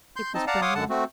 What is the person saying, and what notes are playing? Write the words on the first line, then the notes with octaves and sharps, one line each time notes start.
It was burning.
C6 G6
C4 D#4 D#5 A5
D5 F5 F#5 A5 A#5
C#5 F5 F#5 C6 D6 D#6
F#2 D3 F#5 A5
A3 C4 F#4